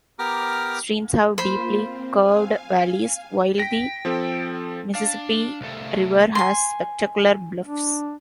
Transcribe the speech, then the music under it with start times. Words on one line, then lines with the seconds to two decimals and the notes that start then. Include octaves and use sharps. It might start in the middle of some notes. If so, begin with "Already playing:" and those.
Streams have deeply carved valleys, while the Mississippi River has spectacular bluffs.
0.19 B3 G4 A#4 A#5 D6 F6
1.38 A#3 F4 C5 B5
1.84 C4
2.20 F5 G#5
3.60 G5 A#6 B6
4.05 F3 C4 A4
4.95 D4 F5
5.61 C2 A3
6.35 G#5 C6
7.62 D4